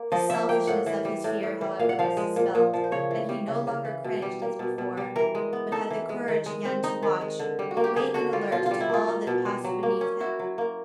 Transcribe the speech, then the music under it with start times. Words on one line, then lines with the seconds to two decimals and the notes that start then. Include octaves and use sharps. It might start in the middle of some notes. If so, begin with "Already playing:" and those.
The selfishness of his fear, however, was dispelled, and he no longer cringed as before, but had the courage again to watch, awake and alert to all that passed beneath him.
Already playing: A#3
0.12 F3 D#5
0.30 F3 E5
0.49 A#3 G5
0.67 A2 F#5
0.86 E3
1.05 G3
1.24 A2
1.43 A2
1.61 E3
1.79 A#2 F5
1.89 F#5
1.99 F3 F5
2.17 G#3
2.36 A#2
2.55 A#2
2.74 F3
2.84 C5
2.92 C#3 C#5
3.11 E3
3.29 G3
3.48 C#3
3.67 C#3
3.85 E3
4.04 B2
4.22 G3
4.42 A#3
4.59 B2
4.78 B2
4.97 G3
5.16 E3 A#4
5.35 G#3
5.53 B3
5.72 D#4 A4
5.91 E3
6.09 G#3
6.28 D#3
6.46 G#3
6.65 C4
6.84 D#4
7.03 D#3
7.21 G#3
7.39 D3
7.59 G3
7.71 F#4
7.77 A#3
7.84 G4
7.96 D3 G#4
8.14 D3 F#4
8.33 G3 F4
8.52 B2 F4
8.66 G3 F4
8.80 E4
8.89 A#3 F4
9.08 D#4
9.27 B2
9.45 G3
9.64 F#3
9.83 A#3
10.01 C#4
10.21 E4 F#4
10.39 F#3
10.58 A#3